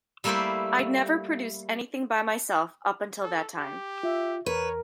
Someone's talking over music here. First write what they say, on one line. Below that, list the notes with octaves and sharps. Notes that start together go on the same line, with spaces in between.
I'd never produced anything by myself up until that time.
G3 A3 A#3 E4 C5 D5
A4
G4
F4 E5
E2 A#4 B4 C#5